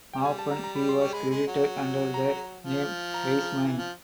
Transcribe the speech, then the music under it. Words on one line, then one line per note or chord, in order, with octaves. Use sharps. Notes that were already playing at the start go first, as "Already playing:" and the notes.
Often he was credited under the name Weisman.
G3 G5
G#5
A5
A#5
A#5
B5
C6
C#6
G#3 B5
G#3
F#3
A#5
F3
A#5
E3
F3